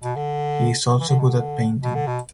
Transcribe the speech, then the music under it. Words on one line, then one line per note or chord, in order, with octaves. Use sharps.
He is also good at painting.
B2
D3
E3
D3
B2
D3
B2
D3
B2